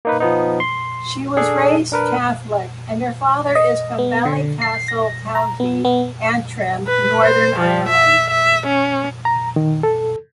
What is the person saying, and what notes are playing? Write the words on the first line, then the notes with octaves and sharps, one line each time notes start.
She was raised Catholic and her father is from Ballycastle, County Antrim, Northern Ireland.
A#3 D#4 B4
F3 B3 D#4
C6
D4 G#4 A4
D4 A#4 B4
D#5
B3
D3
C7
A#6
A#5
B3
B3
B4
C5
F3
E5
E5
C#4
A#5
D#3
A4